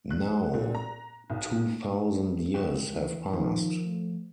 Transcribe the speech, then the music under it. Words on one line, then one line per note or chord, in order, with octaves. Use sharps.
Now two thousand years have passed.
F#6
A#2
A#5
B1
C#2 F#4 G5
E3
D#3 F3
A3